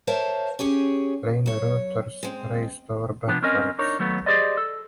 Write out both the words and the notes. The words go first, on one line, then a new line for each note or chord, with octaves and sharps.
Rainer Reuter raced over backwards.
A#4 C5 C#5 E5 F5 A5
C#4 G4 G#4 C#5
F#3 C#5
G#3 C4
C3 F3 B3 D4
C4 C#4 A#4 D#5 G#5
D4 D#4 A#4 C#5
D#2 F#3 A3 B3
G4 G#4 C5 D5 D#5
A4